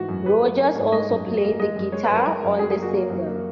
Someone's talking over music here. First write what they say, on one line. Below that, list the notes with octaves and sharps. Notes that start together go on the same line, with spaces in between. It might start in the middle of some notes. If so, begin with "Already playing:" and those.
Rodgers also played the guitar on the single.
Already playing: G#2 E3 F#4
F#2
F#3 B4
A#3
A#3
G#2
G#3 D#5
F#2
F#3
A#3
G#3 D#5
F#2
G#3 C#5
B4
F#2
A#4
G#3 A#4
F#2
F#3 G#4
G#4
A#3
F#4
A#3
F#2
A#3